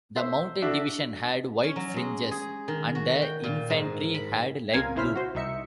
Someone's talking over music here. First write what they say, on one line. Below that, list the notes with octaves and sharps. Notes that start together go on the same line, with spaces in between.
The mounted division had white fringes, and the infantry had light blue.
C5 E5
D4 F#4 A4 E5
C#4
F#3
G#3
G#4
D#3
F#4
G5
A#2
G#2
B5
C#2 C4 A#4 F5 G#5 G#6
A#1 C#3 E4 C5 F6 B6
F#4 C5
C2 D#4 E5 C#7